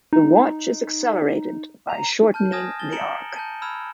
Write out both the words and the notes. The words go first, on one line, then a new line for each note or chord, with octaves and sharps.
The Watch is accelerated by shortening the arc.
D#4
A#5
A5 F6 G6
G#5 D#6 F6 G#6 A#6 E7
A6 G7
A#5 C#7 D7 E7 F#7 G7
A5 G6
B5 E6 F6 G#6 E7